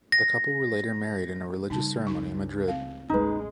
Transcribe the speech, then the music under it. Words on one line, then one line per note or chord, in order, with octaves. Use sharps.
The couple were later married in a religious ceremony in Madrid.
A#6
C#3 G3 D#4 A5
C#2 D#4 C#6
C4 F5
A1 D#2 G#3 D#4 B4